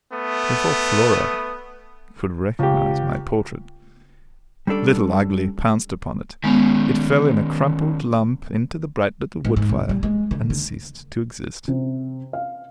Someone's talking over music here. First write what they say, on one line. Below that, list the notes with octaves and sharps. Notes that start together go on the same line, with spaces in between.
Before Flora could recognize my portrait, Little Ugly pounced upon it; it fell in a crumpled lump into the bright little wood fire, and ceased to exist.
A3 B3 D#6
C#2 G4
G3 C#4 D4 A4 D5
D#3 G#3 B3 C#4
G#2
G#2
C2
G3
G#3
D3
D3
C3
F5